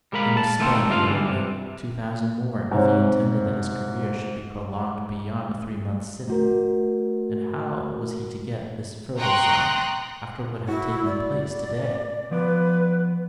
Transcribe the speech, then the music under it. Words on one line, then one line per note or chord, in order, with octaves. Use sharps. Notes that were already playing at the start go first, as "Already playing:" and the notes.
He must spend, at any rate, two thousand more if he intended that his career should be prolonged beyond a three months' sitting;--and how was he to get this further sum after what had taken place to-day?
G3 G#3 A#4 F5 B5
A5
D#3 A3 A#3 C4 A4 C5
C#2 D4 F4 F5
G2 D3 E3
C3
G#2 C3 C#5
A3 F#4 A#4
G5 A#5 C6 C#6 D#6 F#6
E4 F#4
D5
F3 B3 B4 D5